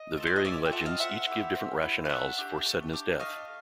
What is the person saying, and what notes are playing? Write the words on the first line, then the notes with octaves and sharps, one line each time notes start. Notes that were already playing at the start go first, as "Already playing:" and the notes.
The varying legends each give different rationales for Sedna's death.
Already playing: D#5
F4 A4
D5
D#5
C#4 D5 E5
G5
F4 A4 E5 F#5
D#5 F5
C4 E5 F#5
E4 G4
C4
E4 G4
F5
A3 E5 F#5
D4 G4
A3
D4 G4
A3 D#5 F5